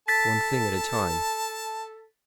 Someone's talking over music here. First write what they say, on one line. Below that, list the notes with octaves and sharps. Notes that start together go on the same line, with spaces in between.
One thing at a time.
A4 A5 A6 B6